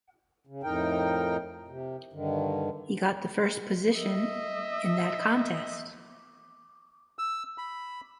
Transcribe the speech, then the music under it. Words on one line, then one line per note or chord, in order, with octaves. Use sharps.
He got the first position in that contest.
C#3
F2 A2 D#4 A#4 G5
C3
G2 D3 D#3
D#5 E5
E6
B5